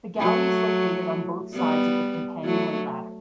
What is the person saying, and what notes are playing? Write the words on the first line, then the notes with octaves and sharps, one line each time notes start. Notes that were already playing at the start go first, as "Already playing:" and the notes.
The galley is located on both sides of the companionway ladder.
F#3 A3
G3 B3
F#3 A3